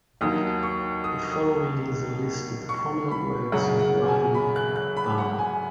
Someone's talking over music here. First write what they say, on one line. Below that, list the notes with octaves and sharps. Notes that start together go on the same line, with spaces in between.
The following is a list of the prominent works of Ravi Varma.
D#2 D#3 F#3 D#6
C#6
D#6
D#6
C#6
B5
F#2 C#3 F#3 F#5
F#5
G#5
B5
F#6
F#6
B5
F#5
G#5